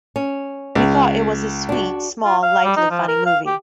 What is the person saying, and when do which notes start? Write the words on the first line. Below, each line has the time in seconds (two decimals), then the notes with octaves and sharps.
We thought it was a sweet, small, lightly funny movie.
0.16 C#4
0.75 C#2
1.69 D4 F#4
2.25 F4
2.43 F5
2.65 G3
2.77 D#4
2.91 F3
3.08 A#4
3.26 F5
3.47 G4